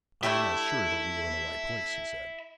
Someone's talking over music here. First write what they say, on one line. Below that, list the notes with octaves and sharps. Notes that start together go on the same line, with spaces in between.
'I am not sure that we are in the right place,' he said.
D3 A3 G4 E5 B5